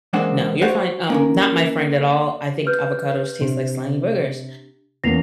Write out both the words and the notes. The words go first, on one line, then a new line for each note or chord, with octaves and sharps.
No, you're fine um, not my friend at all. I think avocados taste like slimy boogers,
E3 G#3 A#3 C4 D4 F#5
F#4 C5 C#5 F#5
A#3 C#4 A#4
B4 F6 G6
C3 D4 G4
E2 A#3 C#4 A#6 C7 F7